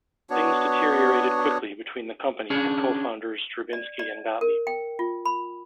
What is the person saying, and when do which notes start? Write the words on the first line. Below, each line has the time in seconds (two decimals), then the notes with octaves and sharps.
Things deteriorated quickly between the company and co-founders Drabinsky and Gottlieb.
0.30 B3 D4 F#4 C#5
2.50 C#4 D4 G#4
3.73 D5
3.99 D5
4.41 A#4
4.67 G5
4.99 F4
5.25 B5